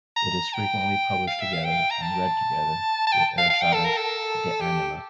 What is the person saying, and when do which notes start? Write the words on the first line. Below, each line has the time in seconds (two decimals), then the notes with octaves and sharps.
It is frequently published together, and read together, with Aristotle's "De Anima".
0.17 A#5
0.54 G5
1.27 F5
1.41 E5
1.53 F5
1.64 G5
1.90 A#5
2.02 A5
3.07 A5
3.12 G5
3.38 F5
3.50 F5
3.62 G5
3.74 A4
3.85 A#4
3.97 A4
4.61 G4